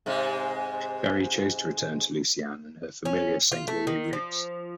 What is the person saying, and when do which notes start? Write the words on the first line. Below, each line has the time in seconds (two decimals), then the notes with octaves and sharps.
Berry chose to return to Lucy Ann and her familiar Saint Louis roots.
0.06 G#2 C3 G#3
3.05 C#4
3.52 F4
3.68 A3
3.87 D#3
4.13 F3